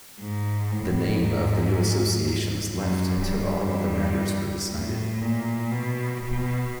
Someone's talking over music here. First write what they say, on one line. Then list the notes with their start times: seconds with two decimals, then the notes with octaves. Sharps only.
The name of the new Association was left until all other matters were decided.
0.20 G#2
0.71 A2
1.21 G#2
2.71 F#2
3.21 G2
4.71 A2
5.21 A#2
5.71 B2
6.21 B2